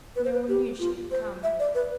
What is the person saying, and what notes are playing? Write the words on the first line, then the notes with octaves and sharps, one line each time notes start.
No one knew she had come.
B4
C5
B4
G4
F4
C5
E5
D5
B4